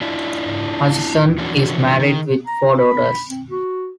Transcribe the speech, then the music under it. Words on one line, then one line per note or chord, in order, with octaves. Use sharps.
Hutchison is married with four daughters.
D4 E4 F4
E3 F3 C#4 D4 F#4
D#3
A#5
B5
C4
F#4